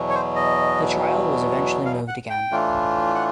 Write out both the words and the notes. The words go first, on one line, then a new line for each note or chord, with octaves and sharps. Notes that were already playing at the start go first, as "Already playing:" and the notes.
The trial was eventually moved again.
Already playing: E2 B2 F#3
C#5
C5
D#5
F5
F#5
G5
A2 E3 A3 D4 F4
F#5